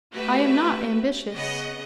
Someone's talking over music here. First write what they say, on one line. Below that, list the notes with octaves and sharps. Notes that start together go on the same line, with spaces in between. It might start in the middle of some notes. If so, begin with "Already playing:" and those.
"I am not ambitious."
A3 F#4 G4 B4 E5
C#3 B3 D#5 F#5